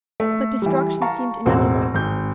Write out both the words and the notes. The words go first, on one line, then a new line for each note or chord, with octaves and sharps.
But destruction seemed inevitable.
A3
E3 G3
F5 A5 A#5 C#6
E1 A1 C4 F#4
G#1 G6